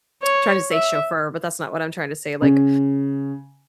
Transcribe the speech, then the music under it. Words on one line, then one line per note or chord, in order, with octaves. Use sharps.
I'm trying to say chauffeur, but that's not what I'm trying to say, like,
C#5
E5
C#3